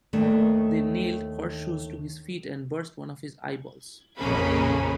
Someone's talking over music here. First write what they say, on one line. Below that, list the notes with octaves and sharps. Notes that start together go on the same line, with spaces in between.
They nailed horseshoes to his feet and burst one of his eyeballs.
D#2 D#3 A3 D4
A#1 F2 C#3 A#3 C#4 B5